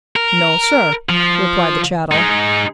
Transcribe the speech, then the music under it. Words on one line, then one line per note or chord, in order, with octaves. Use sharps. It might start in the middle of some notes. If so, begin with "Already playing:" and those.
"No, sir," replied the chattel.
A#4
F3
G#3 D#4